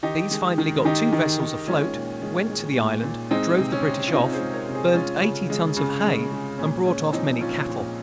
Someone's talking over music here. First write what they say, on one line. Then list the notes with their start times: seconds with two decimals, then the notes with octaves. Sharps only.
These finally got two vessels afloat, went to the island, drove the British off, burnt eighty tons of hay, and brought off many cattle.
0.03 D#3 D#4 G4
0.31 G#3
0.58 D#3
0.85 D#3 D#4 G4
1.13 D#3
1.40 D#3
1.67 G#3 C#4 F4
1.95 A#2
2.22 G#3
2.50 G#3
2.76 A#2
3.03 A#2
3.31 G#3 C4 D#4
3.58 C3
3.72 C#4
3.86 C3
4.07 F4
4.13 C3 C4 D#4
4.33 G#4 C5
4.40 G#3
4.53 A#4 C#5
4.68 C3
4.75 G#4 C5
4.94 G#3 C#4 F4
5.22 C#3
5.50 G#3
5.77 C#3
6.05 G#3
6.32 G#3
6.58 A#2 C#4
6.85 G#3 C#4
7.13 F3 C4 D#4
7.41 A#2 C#4 F4
7.68 A#2